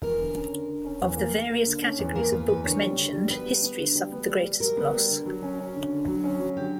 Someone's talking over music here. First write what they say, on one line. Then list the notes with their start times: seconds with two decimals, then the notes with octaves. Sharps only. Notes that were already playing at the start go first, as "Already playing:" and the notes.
Of the various categories of books mentioned, history suffered the greatest loss.
0.03 E2 A#4
0.19 D3
0.35 C#4
0.52 D3
0.68 D3
0.85 C#4
1.01 E2
1.17 A#3
1.34 A#3
1.50 A#3
1.66 D3
1.82 C#4
1.99 E2
2.15 A#3 A#4
2.32 E2 B4
2.48 E2 B4
2.64 D3 C#5
2.81 G3
2.97 D3
3.14 G3
3.30 B3 B4
3.46 G3
3.63 B3
3.79 D3
3.95 G3
4.12 B3
4.28 G3
4.44 G3
4.60 G3 A#4
4.77 B3
4.93 G3
5.09 D3
5.26 F#3
5.42 C#4
5.59 C#4
5.75 D3
5.92 D3
6.08 F#3
6.24 C#4
6.40 F#3
6.57 D3 G4